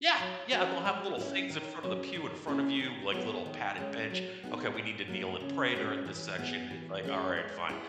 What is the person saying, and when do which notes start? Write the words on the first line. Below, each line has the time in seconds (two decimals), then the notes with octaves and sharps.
Yeah, yeah, and they'll have little things in front of the pew in front of you, like little padded bench, okay, we need to kneel and pray during this section, and it's like, "Alright, fine."
0.20 F#3
0.52 C#4 F#4
0.85 G#3
1.18 C#4 E4
1.50 D#3
1.83 F#3 C#4
2.15 D#3
2.47 A#3 C#4 E4 G#4
2.80 D#3
3.12 F#3 B3 E4 G#4
3.46 D#3
3.78 G#3 C#4
4.10 F#3
4.44 B3 D#4 G#4
4.75 A#2
5.08 F#3 A#3 E4
5.40 C#3
5.73 G#3 C#4 F#4
6.05 E3
6.39 B3 E4 G#4
6.71 E3
7.03 G#3 C#4 E4 G#4
7.37 G#3
7.69 B3 E4 G#4